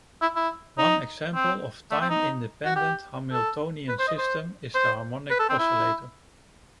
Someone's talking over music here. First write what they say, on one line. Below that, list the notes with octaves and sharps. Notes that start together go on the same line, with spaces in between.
One example of time independent Hamiltonian system is the harmonic oscillator.
E4
E4
D#4
C4
A3
C4
D#4
F#4
G4
A4
B4
C5
D#5
C5
C5
B4
A4
C4
E4